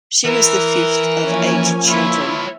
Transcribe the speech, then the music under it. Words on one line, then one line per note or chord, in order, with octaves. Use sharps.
She was the fifth of eight children.
E3 A#4
F3 A#3 C#4 G#5
E4 F4 C#5